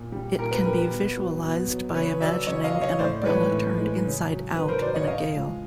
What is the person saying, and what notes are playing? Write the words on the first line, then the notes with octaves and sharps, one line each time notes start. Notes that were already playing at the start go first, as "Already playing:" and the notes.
It can be visualized by imagining an umbrella turned inside-out in a gale.
Already playing: A#2
G3
A#2 A#4
B4
G3 A#4
B4
B2
F#3
B2
F#3
C#3 B4 C#5
F#3 D5 E5
C#3 C#5 D#5
D#5 F5
F#3
C#5 D#5
A2 C5 D5
D5
E3 G#3 B4 C#5
A2
E3 G#3
C#3
F#3
C#3 B4
A#4 C5
F#3 C5 D5
C#5 D#5
C#3 D#5 F5
F3 G#3